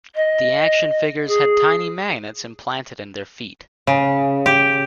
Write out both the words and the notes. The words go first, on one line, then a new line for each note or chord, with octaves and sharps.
The action figures had tiny magnets implanted in their feet.
D#5
G#4
C#3
G4